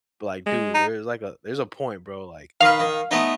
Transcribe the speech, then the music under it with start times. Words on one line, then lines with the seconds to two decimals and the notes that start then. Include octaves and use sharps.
But, like, dude, there's like a there's a point, bro, like,
0.46 G#3
0.75 D#4
2.61 D#3 B4 F5
2.80 D#3
3.11 A3 B3 D#4